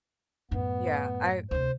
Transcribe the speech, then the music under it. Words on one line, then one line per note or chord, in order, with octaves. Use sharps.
Yeah. I
F#2 A2 B3
D2 C3 C5